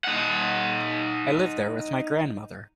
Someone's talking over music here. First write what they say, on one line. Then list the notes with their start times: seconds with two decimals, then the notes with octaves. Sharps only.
I live there with my grandmother.
0.04 D#4 F#5